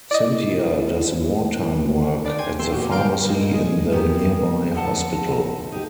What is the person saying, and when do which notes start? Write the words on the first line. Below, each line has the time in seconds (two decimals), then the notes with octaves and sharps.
Cynthia does war-time work at the pharmacy in the nearby hospital.
0.11 E4 D5 D#5
2.25 B3 D4 D5 D6
2.38 G5 G#5 C6 G#6
2.59 E2 A3 G4 G5 C6 E6
2.72 E2 A#2 F#4 G4
2.90 D3 F4 A#4 F5 G6 D7
3.25 A#2 G#3 D#4
3.51 G#4 D#5
3.92 A3 B3 G4 G#4 A#4
4.74 D2 F3 A3 D#4 F#5 A5
5.72 D#4 G4